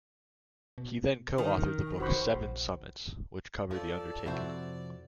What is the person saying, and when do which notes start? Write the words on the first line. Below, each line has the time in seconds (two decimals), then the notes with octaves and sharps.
He then co-authored the book "Seven Summits", which covered the undertaking.
0.78 B2
1.38 D#3
2.00 F1 F#4 C5 B5
2.35 A#1
3.71 F3 A4 D5
4.26 F2 C3 E4 F#4 C5